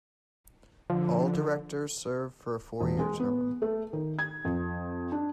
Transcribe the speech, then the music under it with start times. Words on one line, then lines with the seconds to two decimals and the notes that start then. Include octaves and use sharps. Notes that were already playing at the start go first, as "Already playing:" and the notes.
All directors serve for a four-year term.
0.90 D3 F3
2.80 E1
2.99 G#3
3.19 B3
3.62 A3
3.93 D#3
4.19 G#6
4.45 F2
5.12 D4